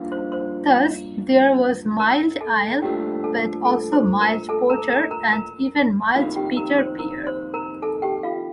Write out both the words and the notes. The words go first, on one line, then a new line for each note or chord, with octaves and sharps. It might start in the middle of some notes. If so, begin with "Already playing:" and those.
Thus there was Mild Ale but also Mild Porter and even Mild Bitter Beer.
Already playing: G2 F3 A#3 D4 F4
C5 C6
C5 C6
A#4 A#5
A4 A5
C2 A#2 F3 A3 D4 G4 G5
A4 A5
A4 A5
C5 C6
A#4 A#5
A4 A5
A#4 A#5
A#4 A#5
A#4 A#5
A#4 A#5
F2 C3 D#3 A#3 F4 F5
G4 G5
A#4 A#5
C5 C6
A#4 A#5
C5 C6
A#4 A#5
A4 A5
G4 G5
F4 F5